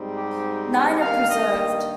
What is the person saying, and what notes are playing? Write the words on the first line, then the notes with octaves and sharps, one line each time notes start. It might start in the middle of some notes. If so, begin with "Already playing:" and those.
Nine are preserved.
Already playing: G#2 G3 C4 D#4
G4
G4
G2 D#3 A#3 F5
D#5